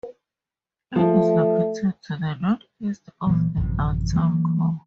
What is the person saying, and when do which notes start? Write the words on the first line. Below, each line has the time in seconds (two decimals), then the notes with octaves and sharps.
It is located to the northeast of the downtown core.
0.96 F3 A3
3.27 A#2 E3 F#3 A#3
3.56 A1 F#2 C3 F3
4.13 E3 F#3 A#3